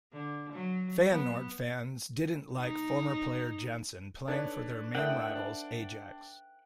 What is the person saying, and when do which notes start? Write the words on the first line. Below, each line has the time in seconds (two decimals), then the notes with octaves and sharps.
Feyenoord fans didn't like former player Jansen playing for their main rivals Ajax.
0.13 D3
0.53 F#3
1.12 B3
2.59 D#4
4.28 D4 D#4 A4 B4 C#5 D5
4.95 A2 D4 A#4 E5 F#5 G5
5.36 D4 C5